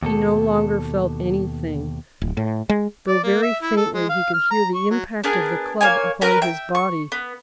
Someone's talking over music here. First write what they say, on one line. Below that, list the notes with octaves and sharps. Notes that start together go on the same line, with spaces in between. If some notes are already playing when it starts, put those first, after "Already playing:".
He no longer felt anything, though very faintly he could hear the impact of the club upon his body.
D#2 B2 A4
D1
A2
G#3
D5
A#3
E5
E4
A4
G#3
F5
F6
A#5
C#6
F#3
B3 D4 G#4 A#4
A#3 C#4 C#5 G#5
C#4 A#4 B4 A#5
E5 G5
C#6
B3